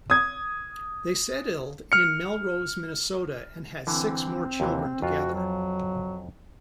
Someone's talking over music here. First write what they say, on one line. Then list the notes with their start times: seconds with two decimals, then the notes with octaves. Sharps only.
They settled in Melrose, Minnesota and had six more children together.
0.10 D#6 G#6
1.92 F6 C#7
3.87 D3 E3 C4
4.60 D#2 C3 E3
5.02 F2 F4 F#4
5.34 F#3